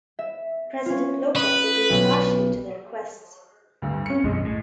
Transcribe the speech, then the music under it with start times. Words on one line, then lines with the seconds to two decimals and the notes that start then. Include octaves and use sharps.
President López agreed partially to the requests.
0.19 E5
0.86 C#4 F4
1.36 B4 D#6 B6
1.90 B1 B2 B3
3.82 D2 G2
4.06 C#4 C#7
4.24 B1 F#2 G#3
4.45 A2